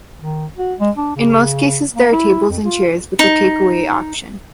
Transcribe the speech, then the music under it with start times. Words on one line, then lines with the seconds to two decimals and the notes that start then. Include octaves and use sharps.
In most cases there are tables and chairs with a take-away option.
0.21 D#3
0.57 F#4
0.80 G#3
0.97 D4
1.16 C#3
1.94 A#3
2.12 E4
2.50 F2
2.63 F4
3.19 D#4